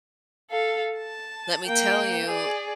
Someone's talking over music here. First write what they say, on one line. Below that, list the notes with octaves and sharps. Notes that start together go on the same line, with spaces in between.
let me tell you,
A4 F5
A5
A#3 G5
G#4 D5